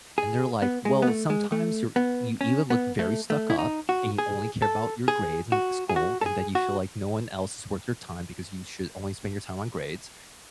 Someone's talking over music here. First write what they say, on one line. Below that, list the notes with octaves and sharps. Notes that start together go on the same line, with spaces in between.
and, they're like, "Well, sometimes you're you either look very stuck up and you only care about your grades and school, and that you feel like no one else is worth your time, because you should only spend your time on grades."
G#4
B3
G#3
B3
A3
G#3
A3
B3
C#4
B3
A3
A3
E4
D#4
F#4
G#4
A4
G#4
F#4
G#4
F#4
A4
G#4
F#4